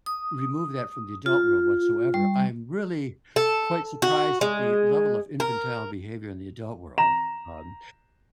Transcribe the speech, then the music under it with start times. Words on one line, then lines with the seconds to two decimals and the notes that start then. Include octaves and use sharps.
remove that from the adult world whatsoever, I'm really quite surprised at the level of infantile behavior in the adult world, um,
0.06 D#6
1.26 F4
2.14 G3
3.36 A4
4.02 F#4
4.41 G#3
5.40 A#4
6.98 A#5 E7